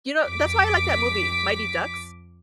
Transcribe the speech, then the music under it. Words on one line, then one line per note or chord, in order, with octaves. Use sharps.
You know, that's why I like that movie, Mighty Ducks.
F2 D6 B6